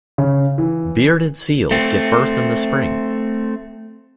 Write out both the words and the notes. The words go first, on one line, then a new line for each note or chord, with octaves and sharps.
Bearded seals give birth in the spring.
C#3
E3
A3 C4